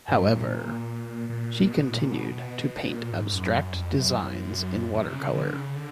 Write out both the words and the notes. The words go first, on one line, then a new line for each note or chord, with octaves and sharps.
However, she continued to paint abstract designs in watercolour.
G2
A#2
A#2
B2
A#2
B2
B2
A#2
G#2
F#2
F2
F#2
C3
C3
C#3
D3
C#3
D3